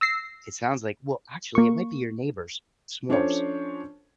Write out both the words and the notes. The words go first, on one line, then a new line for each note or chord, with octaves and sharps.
it sounds like well, actually it might be your neighbors swarms.
E6 A#6 C7
A#3 C#6
F3 C#4 D4 A4 C5 C#5